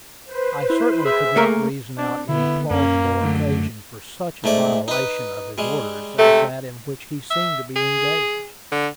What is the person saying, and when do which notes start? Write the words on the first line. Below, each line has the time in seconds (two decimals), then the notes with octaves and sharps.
I certainly could not reason out any plausible occasion for such a violation of his orders as that in which he seemed to be engaged.
0.25 B4 C5
0.70 E4
1.05 G#4 E5
1.36 A3 A#3 A#4
1.98 C4 D4
2.29 D3 B3 E4
2.70 F#2 A#3 C#4
3.20 D3 F#3 A3
4.44 G#2 A3 D5
4.88 D#4 B4
5.58 G3 G#3
6.18 C3 A3
7.30 E5
7.76 G#4
8.72 D3